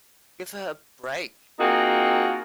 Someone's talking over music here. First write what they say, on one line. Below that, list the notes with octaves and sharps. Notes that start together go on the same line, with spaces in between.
Give her a break!
A#3 C4 D#4 F4 F#4 G#4